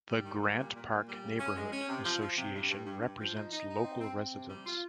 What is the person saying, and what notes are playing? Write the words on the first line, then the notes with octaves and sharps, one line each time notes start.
The Grant Park Neighborhood Association represents local residents.
G3
D#3
G3
A#2
A#2
A#2
G3
C#3
C#4
G#3
C#4
C3
F3
F3
C3
G2
G2
G2
G2
F3
D#4
D#4
D#4
C4
C4
C4
C3
G3
F4